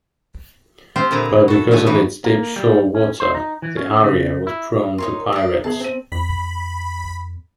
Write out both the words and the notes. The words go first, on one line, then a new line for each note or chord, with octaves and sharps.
But because of its deep shore water, the area was prone to pirates.
C4 F4 G4 C5
A#2 D3 E4 G#4 B4 A#5
F#4 A4
D3 A3 G4 F#5 G#5
E3 D#4 F#4 B4
A#3
G3
C#4
C5
D#4
E3
C#4
C#3
E4
D#4 A#4 C#5 C6
D5 D#5
G1 G#4 A5 F#7
C4 D#7
F2 B5